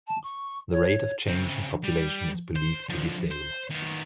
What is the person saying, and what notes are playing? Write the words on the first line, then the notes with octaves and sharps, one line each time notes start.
The rate of change in population is believed to be stable.
A5
C#6
C#5
C#3 C4
G3
C5
D3 F3
C5
D#3 B3